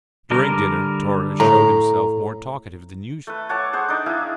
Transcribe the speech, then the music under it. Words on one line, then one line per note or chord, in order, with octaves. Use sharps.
During dinner Torres showed himself more talkative than usual.
D3 G3 A#4
A2 A#5
A3 B4
C#5 F#5 A5 D6
G#4 C5 F#5
D4 D#4
E4 G#4 E5 F5